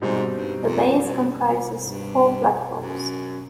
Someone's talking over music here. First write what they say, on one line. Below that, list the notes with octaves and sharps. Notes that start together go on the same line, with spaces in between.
The base comprises four platforms.
G#2 B2 G3 C4 D#4
G2
F2
F#2
G2
F#2